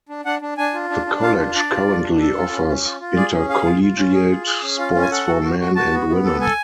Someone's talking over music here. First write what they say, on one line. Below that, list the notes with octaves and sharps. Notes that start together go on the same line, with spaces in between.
The college currently offers intercollegiate sports for men and women.
D4
D4 F#5
D4
D4 G#5
F4
D4
D4
F4 F5
D4
D4 D5
F4
D4
D4
A4
F4
C#4
C#4
F4
F4
G#4 D5
C#4
G#4 F5
F4
F4
C#4
G#4
F4
G#4
C#4
F4 F5
C#4
G#5
A4 F#5
F#4
F#4
F#4
F#4 A5
B3
B3
A4
A4 G#5